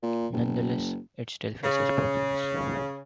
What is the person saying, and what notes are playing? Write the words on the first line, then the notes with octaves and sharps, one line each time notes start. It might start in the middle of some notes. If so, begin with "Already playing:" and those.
Nonetheless, it still faces problems.
A#2
F#1
C#3